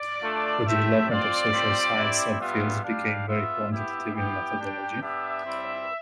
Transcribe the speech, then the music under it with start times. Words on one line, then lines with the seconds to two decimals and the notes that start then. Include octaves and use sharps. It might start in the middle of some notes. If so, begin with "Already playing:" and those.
The development of social science subfields became very quantitative in methodology.
Already playing: D5
0.22 A3 D4 F4
0.65 A3 C4 G4 E5
1.08 C4 F4 D5
1.52 G3 C4 F4
1.95 C4 E4 G4
2.39 G3 B3 F4 E5
2.83 G3 D4 G4 F5
3.27 B3 F4 E5
3.71 B3 E4 G4 E5
4.14 B3 E4 G4 G5
4.58 G3 D4 G4
5.01 B3 D4 G4 E5
5.45 G3 C4 E4